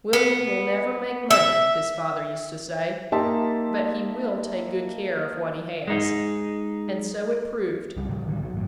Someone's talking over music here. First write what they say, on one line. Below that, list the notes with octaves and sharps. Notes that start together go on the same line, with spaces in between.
"William will never make money," his father used to say; "but he will take good care of what he has." And so it proved.
B3
E5
A#3 D#4 G4 E5 A5 C6
G#3 D#4
C#2 G3
A2 C#3 F3 G3
D3 D#3 F#3 G3
B2 F#3
G1 A2